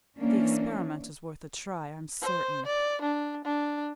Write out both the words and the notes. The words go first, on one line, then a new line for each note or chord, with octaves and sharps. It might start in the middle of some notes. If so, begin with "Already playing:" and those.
The experiment is worth a try I'm certain.
E3 A#3 C#4 D4
C5
D5
D4
D4